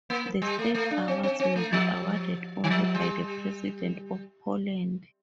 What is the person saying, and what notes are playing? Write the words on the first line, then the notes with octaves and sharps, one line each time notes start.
The state awards may be awarded only by the President of Poland.
A#3
G3
A3
A3
D4
C4
C4
C4
A3
F3
D#3
F3
G3